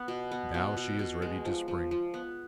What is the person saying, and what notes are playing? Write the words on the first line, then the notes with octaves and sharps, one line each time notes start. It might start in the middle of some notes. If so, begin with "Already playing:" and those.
Now she is ready to spring.
Already playing: B3
B2
B3
B2
B2
B2
G#3
F3
F3
F3
B3